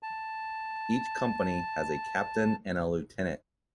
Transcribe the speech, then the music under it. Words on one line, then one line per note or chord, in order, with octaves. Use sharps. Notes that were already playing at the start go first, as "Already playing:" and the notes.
Each company has a Captain and a Lieutenant.
A5